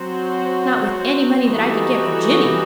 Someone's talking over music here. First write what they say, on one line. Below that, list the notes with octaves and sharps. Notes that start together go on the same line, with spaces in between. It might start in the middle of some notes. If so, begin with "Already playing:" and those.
"Not with any money that I could get for Jinny."
Already playing: F#3 C4 F#4 C5
E3 G3 D#4 F#4 A4